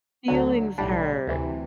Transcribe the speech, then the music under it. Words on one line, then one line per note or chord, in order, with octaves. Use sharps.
feelings hurt.
D2 D3 F#3
B1 A2 G3 D4
D2 C3 E3